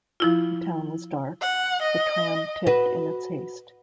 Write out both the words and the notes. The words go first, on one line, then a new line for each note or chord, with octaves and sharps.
The town was dark; the tram tipped in its haste.
F3 E4 F4
F#5
D#5
F#4 B4